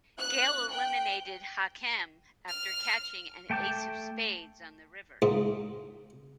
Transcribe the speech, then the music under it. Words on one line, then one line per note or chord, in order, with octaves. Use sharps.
Gale eliminated Hachem after catching an ace of spades on the river.
F#6
G5
F6
A3 G5 A5 D6 G6
G#2